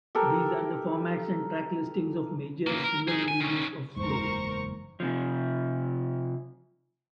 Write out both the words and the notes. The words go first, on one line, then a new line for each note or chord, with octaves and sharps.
These are the formats and track listings of major single releases of "Slow".
G4 A4 A#4
C#3 A#3
A#4
D#4 G#4
G#5
D#3 C#4
F#1 E2 G#2 A#4 C5 C#6
C3 F3